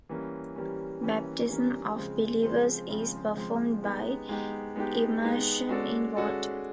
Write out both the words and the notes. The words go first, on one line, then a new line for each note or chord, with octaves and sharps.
Baptism of believers is performed by immersion in water.
E3 G3 A#3 C#4
E3 G3 A#3 C#4
E3 G3 A#3 C#4
E3 G3 A#3 C#4
C#3 F3 G#3 C4
C#3 F3 G#3 C4
C#3 F3 G#3 C4
C#3 F3 G#3 C4
G#3 B3 D#4 G4
G#3 B3 D#4 G4
G#3 B3 D#4 G4
G#3 B3 D#4 G4
G#3 C#4 F#4 A4 D5
G#3 C#4 F#4 A4 D5